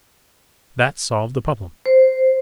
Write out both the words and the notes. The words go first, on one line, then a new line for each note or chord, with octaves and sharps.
That solved the problem!
C5